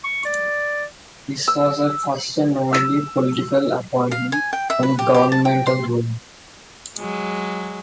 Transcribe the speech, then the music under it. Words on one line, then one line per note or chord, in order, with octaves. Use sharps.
This was her first and only political appointment and governmental role.
C#6
D5
E6
E6
F5
G#5
G5
E5
B4
G4
G4
A5
G5
C6
F#3 G#3